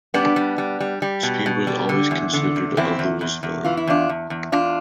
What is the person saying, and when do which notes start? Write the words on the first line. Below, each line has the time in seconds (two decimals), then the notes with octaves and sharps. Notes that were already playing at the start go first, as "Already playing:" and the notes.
Speed was always considered a Louisvillian.
0.14 G3 B3 D4
0.36 G3
0.58 G3
0.80 G3
1.02 G3
1.23 B2
1.46 B2
1.67 G3
1.89 D3
2.11 E2
2.33 D3
2.56 E2
2.77 E2 C4 E4
2.99 E2
3.21 E2
3.43 E2
3.64 E3 F4
3.77 E4
3.87 E2 D4 F4
4.09 E2
4.30 E2
4.52 E2 D4 F4